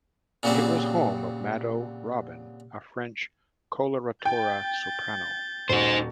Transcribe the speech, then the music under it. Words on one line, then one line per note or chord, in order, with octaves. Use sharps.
It was home of Mado Robin, a French coloratura soprano.
A#2 C#3 F#3 G3 C4
G5 G6 A6
D#1 D#4 F#4 C5